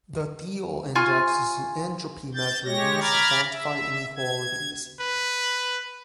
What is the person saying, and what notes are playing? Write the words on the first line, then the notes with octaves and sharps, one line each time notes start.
The Theil index is an entropy measure used to quantify inequalities.
F4 G#5 C#6
G6 A6
G#3 G4 C#5 A#6
A#5 B5 D6 F6 G#6 A6
E5
G#6
B4